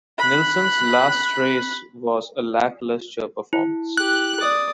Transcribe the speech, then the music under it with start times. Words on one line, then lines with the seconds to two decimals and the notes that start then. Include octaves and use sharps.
Nilsson's last race was a lacklustre performance.
0.18 B5 F#6
3.53 E4
3.97 G4 F#6
4.40 D5 D#6